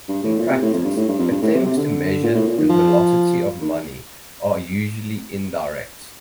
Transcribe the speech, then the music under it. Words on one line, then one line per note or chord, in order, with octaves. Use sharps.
In practice, attempts to measure the velocity of money are usually indirect.
G2
A2
A#2
C3
A2
F2
G2
A2
G2
F2
G2
A2
C3
C3
D3
A#2
A2
A#2
D#3
F3
D#3